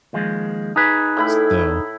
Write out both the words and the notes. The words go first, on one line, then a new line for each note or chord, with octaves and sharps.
s so,
D#2 F3 G#3
D#4 G#4 B4
A2 E4 B5